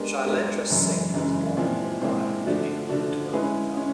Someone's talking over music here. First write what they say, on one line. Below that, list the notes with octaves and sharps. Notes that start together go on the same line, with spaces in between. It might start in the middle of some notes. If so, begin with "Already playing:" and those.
Shailendra Singh was born in Mumbai, India to a Punjabi Family.
Already playing: G#3 B3 D4 G4 A#4
G#3 B3 D4 G4 A#4
F#2 C#3 E3 G#3
F#2 C#3 E3 G#3
A#2 F3 G#3 C4 E4
A#2 F3 G#3 C4 E4
D3 F3 A3 D4 F#4
D3 F3 A3 D4 F#4
G#3 C#4 E4 G#4 B4
G#3 C#4